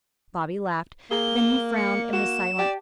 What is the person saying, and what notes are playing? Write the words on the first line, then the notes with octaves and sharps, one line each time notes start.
Bobby laughed; then he frowned and was silent.
A#3 G#4 A#5 G7
C#7
F#4 E7
G4 D5 A5